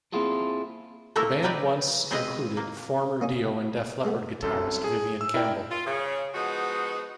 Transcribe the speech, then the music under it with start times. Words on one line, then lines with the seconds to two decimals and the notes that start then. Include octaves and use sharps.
The band once included former Dio and Def Leppard guitarist Vivian Campbell.
0.12 A#3 C4 E4 F4 G#4 A4
1.16 A3 A#3 E4 A4 A#4
1.42 D#4 G4 A#4 B4 D5
2.11 G#3 C4 F4 G#4 B4 D#5
2.57 A#3
3.21 A#3 C#4 D#4
4.05 G#3 A3 B3
4.43 C2 F#2 A4
4.84 G#4
5.21 E6
5.34 E4 A#4 D5 G5
5.71 F4
5.86 C#3
6.35 F3 G#3 B3 D#4 F#4